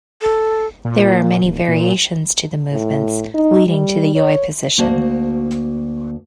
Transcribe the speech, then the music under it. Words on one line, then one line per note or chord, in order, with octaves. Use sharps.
There are many variations to the movements leading to the "yoi" position.
A4
A#2
D#1
A#2
A2
D#4
G3
C#5
D2 A#3 F#4 C5 D5 A5